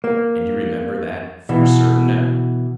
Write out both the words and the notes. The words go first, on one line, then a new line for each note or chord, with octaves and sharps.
"And you remember that for certain now?"
A#3
B2 E3